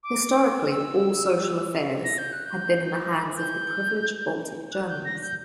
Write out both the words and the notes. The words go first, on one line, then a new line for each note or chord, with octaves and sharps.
Historically, all social affairs had been in the hands of the privileged Baltic Germans.
D6
E6
A#6
G6
F#6
G6
G6
F#6
G6
A#6
G6